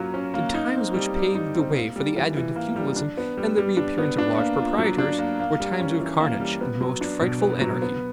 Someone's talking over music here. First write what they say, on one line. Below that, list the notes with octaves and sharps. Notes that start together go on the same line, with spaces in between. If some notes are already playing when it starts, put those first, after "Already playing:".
The times which paved the way for the advent of feudalism and the reappearance of large proprietors were times of carnage and the most frightful anarchy.
Already playing: F#3 A#3 C#4 F4
C#4
A#3
D#4
C4
G3
G3
D#4
C4
A#3
G3
E3
E3
A#3
G3
D4
B3
G3
G3
D4
B3
D4
A#3
F4
F#3
D4
A#3
A#3
G3
C#4
E3
A#3
G3
B3
F#3
D4
B2
B3
F#3
B3